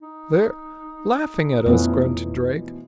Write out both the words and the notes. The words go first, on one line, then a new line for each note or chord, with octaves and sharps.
"They're--laughing at us!" grunted Drake.
D#4
F2 B2 E3 F3 A3 B3 C#4